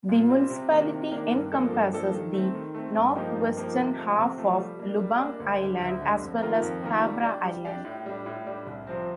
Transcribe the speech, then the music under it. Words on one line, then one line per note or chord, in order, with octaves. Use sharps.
The municipality encompasses the north-western half of Lubang Island, as well as Cabra Island.
A#2
G3 C4
C3
D#3 A#3 D4
C3
D#3 A#3 D4
G2
F3 A#3 D4 A4
G2
F3 A#3 D4 A4
D#3
A3 C4
D#3
A3 C4
G2
F3 A#3 D#4 G4
G2
F3 A#3 D#4 G4
C3
F3 A3
C3
F3 A3
G3
A#3 D4
G3
A#3 D4
D2
D3 G3
D2
D3 G3
F2
D#3 A#3 F4 A#4
F2
D#3 A#3 F4 A#4
G3
D4 G4 D5
G3
D4 G4 D5
A2
G3 D4
A2
G3 D4
C2
C3 F3 C4